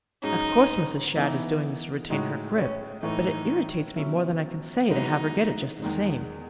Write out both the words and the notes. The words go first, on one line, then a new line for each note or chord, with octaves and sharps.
Of course Mrs. Shadd is doing this to retain her grip, but it irritates me more than I can say to have her get it just the same.
G#2 F#3 C#4 D#4 G#4
E3 B3 D#4
A2 G#3 D#4 F#4
C#4
A2 E3 A3 D#4
B2 F#3 C#4 E4
F#2 E3 G#3 B3 D#4 F#4
E2 D#3 G#3 D#4